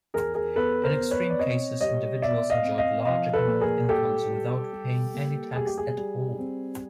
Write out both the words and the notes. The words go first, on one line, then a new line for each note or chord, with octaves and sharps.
In extreme cases, individuals enjoyed large economic incomes without paying any tax at all.
E2 G#4 A#4
G#4 A#4
B3 A4 B4
A#4 C5
B3
B4 C#5
D5
C4 C#5 D#5
G3 C#5 D#5
B2 D5 E5
D#5 F5
C4
D#5 F5
F3 D#5 F5
A4 B4
A#2
G#4 A#4
G3 G4 A4
G3
G3
A#3
G3 G#4
G4
G#4
G3
C4